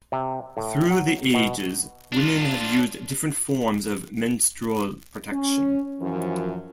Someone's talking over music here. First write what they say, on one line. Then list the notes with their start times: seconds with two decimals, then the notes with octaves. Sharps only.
Through the ages women have used different forms of menstrual protection.
0.12 C3
0.57 A2
0.90 F#3
1.34 B2
2.13 D4 F4
5.32 C#4
6.00 F#2 E3 F3